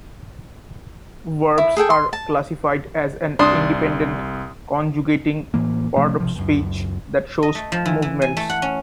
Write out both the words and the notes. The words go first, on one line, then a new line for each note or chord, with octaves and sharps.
Verbs are classified as an independent, conjugating part of speech that shows movements.
E4
G#4 A4 G5 G#5
C6
A5
C2 D4 C6 D#6
A2 E3 A#3
C3 F3 A3 C#4
A#1 C3 F3
C#2 F#2
D#5
A3
F3
E3
E3
G#5
A3
F#5
C#4